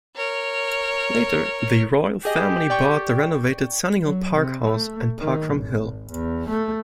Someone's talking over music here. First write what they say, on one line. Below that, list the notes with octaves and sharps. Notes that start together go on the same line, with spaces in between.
Later the Royal Family bought the renovated Sunninghill Park house and park from Hill.
A#4 C#5
G4 G#4 D#5
D5 G5 C#6
F#3
C3
A3
D#3
G#1
E2
A3